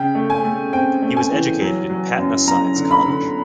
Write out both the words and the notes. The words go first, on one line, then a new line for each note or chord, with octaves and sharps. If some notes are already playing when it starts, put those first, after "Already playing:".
He was educated in Patna Science College.
Already playing: C#3 G5
A3
G#5
A3
C4 G5
A3
G#5
E3
F#3
F#3
F#2
F#2 A#5
D3
B5
D3